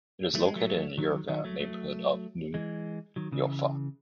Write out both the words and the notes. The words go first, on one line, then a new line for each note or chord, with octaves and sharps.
It is located in Yerevan neighbourhood of New Julfa.
F#3 A3
G#3 C4
F#3 A3
D#3 F#3
D#3 F#3
F#3 A3
F#3 A3
E3 G#3
D#3 F#3
C#3 E3